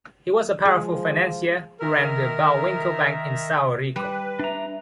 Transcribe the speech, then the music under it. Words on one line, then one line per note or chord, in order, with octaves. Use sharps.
He was a powerful financier who ran the Bohlwinkel bank in Sao Rico.
F3 G#3
D#3 A#4 E5 A#5
G3 B4
D4 E5 A#5